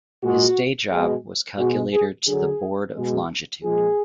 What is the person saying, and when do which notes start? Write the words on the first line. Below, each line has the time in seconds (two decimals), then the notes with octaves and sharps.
His day job was Calculator to the Board of Longitude.
0.21 A#2 G#3 F#4
0.90 B2 G#3
1.58 B2 G#3 F#4
1.93 G#4
2.26 D3 F#3 G#4
2.95 B2 G#3
3.63 A#2 F3 G#3 G#4